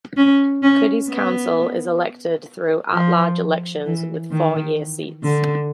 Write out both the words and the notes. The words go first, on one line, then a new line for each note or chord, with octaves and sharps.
Cudahy's council is elected through at-large elections with four-year seats.
C#4
C#4
B3
F3
E3
D#3
D3